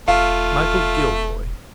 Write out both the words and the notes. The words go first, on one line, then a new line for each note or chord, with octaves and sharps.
"Michael Gilroy?"
E1 A3 F4 F5